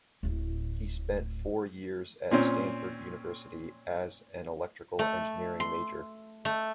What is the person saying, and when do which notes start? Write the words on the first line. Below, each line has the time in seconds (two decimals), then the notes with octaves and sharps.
He spent four years at Stanford University as an electrical engineering major.
0.23 D1 A2
2.31 A#2 C4 C#4
4.99 A3
5.60 C6
6.45 A3